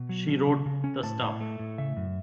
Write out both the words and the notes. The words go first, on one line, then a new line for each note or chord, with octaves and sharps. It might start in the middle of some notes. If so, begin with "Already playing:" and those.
She wrote the stuff.
Already playing: B2
F#3
C#4
C#3
C#3
C#4
A2 A5
A2
A3
A2
C#3 E5
F#2